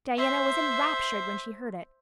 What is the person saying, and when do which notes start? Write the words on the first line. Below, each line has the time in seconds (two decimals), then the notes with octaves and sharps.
Diana was ENRAPTURED when she heard it.
0.17 C5 E5